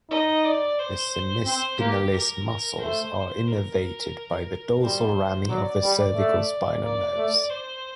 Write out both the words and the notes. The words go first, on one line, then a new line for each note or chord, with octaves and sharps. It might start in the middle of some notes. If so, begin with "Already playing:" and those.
The semispinalis muscles are innervated by the dorsal rami of the cervical spinal nerves.
D#4 D#5
D5
C5
C4 C5
A#3 G4
A#4
A3 C5
A#4
G3 C5
F#3 D5
G3
A3
A#3 D5
A3
C5